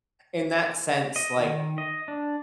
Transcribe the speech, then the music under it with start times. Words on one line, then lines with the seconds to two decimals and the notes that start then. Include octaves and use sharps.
in that sense, like
1.16 D#5
1.39 D#3
1.78 D#5
2.08 D4